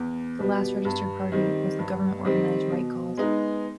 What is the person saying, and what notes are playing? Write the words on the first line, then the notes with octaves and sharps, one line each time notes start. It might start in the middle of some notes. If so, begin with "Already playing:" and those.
The last registered party was the government-organized Right Cause.
Already playing: E2
B2 G3 B3
G2
D#3 G3 C4
G2
D#3 G3 C4
B2
G#3 B3 D#4